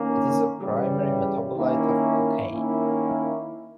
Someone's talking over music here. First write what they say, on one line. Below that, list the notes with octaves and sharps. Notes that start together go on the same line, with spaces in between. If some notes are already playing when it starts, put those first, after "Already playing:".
It is a primary metabolite of cocaine.
Already playing: D#3 A#3 C#4
C#3 E3 G3
D#3 A#3 C#4 E4
D#3 A#3 C#4 E4